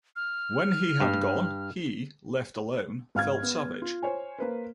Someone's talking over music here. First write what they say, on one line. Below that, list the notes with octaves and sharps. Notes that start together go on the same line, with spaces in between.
When he had gone, he, left alone, felt savage.
F6
G2
G#1 F5 F6 G#6
B3
F4
C5 C#5 G#5
A#3 B4 C5